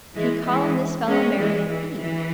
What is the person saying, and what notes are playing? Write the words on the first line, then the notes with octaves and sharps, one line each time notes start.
He call him this fella Mary, Eve.
E3 G#3
E3 G#3
G#3 C#4
E3 G#3
E3
E3